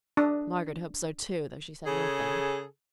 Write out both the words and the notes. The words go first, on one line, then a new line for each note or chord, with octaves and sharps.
Margaret hoped so too, though she said nothing.
D4
C#3 G#4 A4